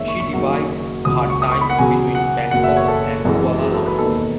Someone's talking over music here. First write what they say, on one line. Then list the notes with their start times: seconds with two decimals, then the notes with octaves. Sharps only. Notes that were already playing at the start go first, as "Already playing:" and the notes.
She divides her time between Bangkok and Kuala Lumpur.
Already playing: F#1 E2 D#3 G#3 C#5 E5
0.08 C#6
0.20 C#6
0.33 F#1 F#2 D#3 F#3
1.05 C#2 C#3 F#3 D#6
1.30 C#6
1.42 D#6
1.52 C#6
1.61 B5
1.70 F#5
1.78 E2 C#3 F#3 G#5
2.15 F#5
2.51 F#1 E2 B2 F#5
2.63 E5
2.77 C#5
2.88 A4
3.24 G#1 F#2 E3 G#3
3.61 G#4
3.73 A4
3.86 B4
3.98 E1 D#2 D#3 A4